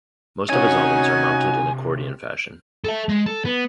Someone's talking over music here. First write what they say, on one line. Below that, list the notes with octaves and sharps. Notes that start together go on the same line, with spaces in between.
Most of his albums are mounted in accordion fashion.
C3 C#4 D#4 F#4 C#5 G#5
A4 E5
G#3
A4
B3